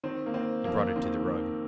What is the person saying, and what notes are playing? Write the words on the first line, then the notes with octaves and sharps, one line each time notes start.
He brought it to the rug.
D#3 C4
A#3
D#3 C4
F2 A#3
D#3 C4
D#3